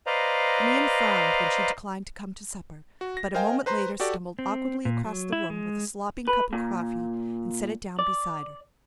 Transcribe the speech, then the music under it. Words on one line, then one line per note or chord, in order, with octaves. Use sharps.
The man frowned when she declined to come to supper, but a moment later stumbled awkwardly across the room with a slopping cup of coffee and set it down beside her.
B4 C5 D5 D#5 F5 A#5
F#4
A#6
A#4 C5 D#5 F5 G5 G#5
B4 C5 A#5 C6
F#4 G4 A4 D5 F#5
C4
A#2
F#3
E4
G#3
B4
A#2
D5